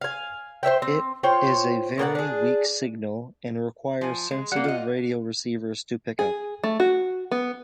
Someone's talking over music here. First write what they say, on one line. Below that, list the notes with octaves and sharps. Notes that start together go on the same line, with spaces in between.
It is a very weak signal, and requires sensitive radio receivers to pick up.
F5 G#5
C5 C#5 E5 G5
C4
F4 C5 C#5 G5
B2 A#3 G4 F#5
D4 G#4
F3 G#5
G#3
G3 A#3 F#5
F4 D#5
G#4
A3
F#4
B3